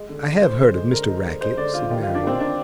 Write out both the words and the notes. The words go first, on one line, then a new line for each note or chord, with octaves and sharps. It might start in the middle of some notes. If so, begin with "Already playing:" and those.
'I have heard of Mr Rackett,' said Marian.
Already playing: G#3
D3
D3
D3 C5
D3
G#3
D3 A#4
G#3
D3
G#3 C5
D3 D5
D3 F4
D#3 G4
F4
D#3
D4
D#3 C4
D#3 D4